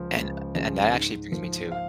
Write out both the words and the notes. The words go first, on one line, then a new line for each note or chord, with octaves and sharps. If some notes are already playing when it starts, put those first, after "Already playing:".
and and that actually brings me to
Already playing: C#2 C#3 F3
C#2
C#3 F3
G#2
F3
F5